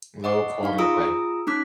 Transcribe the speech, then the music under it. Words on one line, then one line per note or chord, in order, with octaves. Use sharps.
Low quality of life.
D#5 F#5 C#6 D6
D#4 F5 C#6
F4 G#4 A#5 D#6 E6 D7
C#4 D#4 D6 F#6 B6